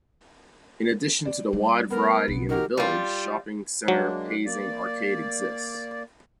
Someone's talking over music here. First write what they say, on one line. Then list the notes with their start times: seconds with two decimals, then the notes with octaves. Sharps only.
In addition to the wide variety in the village shopping center Pasing Arcade exists.
1.25 D5
1.52 G3 A3
1.90 B3 A#4
2.28 B1 C#3
2.49 D#4 F#4 G4 A#4
2.77 G3 F4
3.88 F#3 G#3 A#3 D4
4.46 A#3 D5